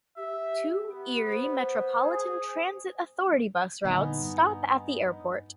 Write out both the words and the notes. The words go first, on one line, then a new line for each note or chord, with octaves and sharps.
Two Erie Metropolitan Transit Authority bus routes stop at the airport.
G4 E5
B3
C5
G#4
A#2 D3 G3 B3 D#4 G#5
G2